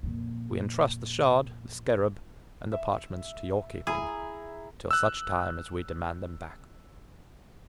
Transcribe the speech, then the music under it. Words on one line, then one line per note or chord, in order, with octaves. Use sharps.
We entrust the sherd, the scarab, and the parchments to your keeping, till such time as we demand them back again.
F2 A#2
E5
E4 G#4 A#5
E6 F#6